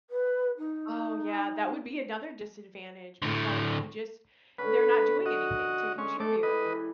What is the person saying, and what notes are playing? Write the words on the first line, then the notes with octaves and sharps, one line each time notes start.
Oh yeah, that would be another disadvantage because you just they're not doing anything to contribute.
B4
D#4
D2 A2
D3 C#4 B4
F#4 D#5
G#3 C#4
A3 A4 D6
E4 G4 B4 D#5
E3